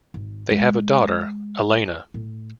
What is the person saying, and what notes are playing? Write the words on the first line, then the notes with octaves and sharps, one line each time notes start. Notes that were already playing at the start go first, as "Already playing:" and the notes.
They have a daughter, Elena.
G#1
G#3
A2